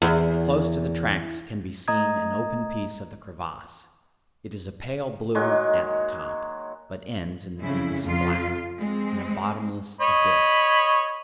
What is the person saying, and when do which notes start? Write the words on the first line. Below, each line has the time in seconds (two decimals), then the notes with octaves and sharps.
Close to the tracks can be seen an open piece of the crevasse; it is a pale blue at the top, but ends in the deepest black -- in a bottomless abyss.
0.02 E2
1.88 A3 D#5 A#5 D#6 G#6
5.35 D#3 F#3 G#3 A#3
7.59 F2 C#3 E4
8.02 F2 F4
8.76 G#3 C4
10.01 C#5 D#5 B5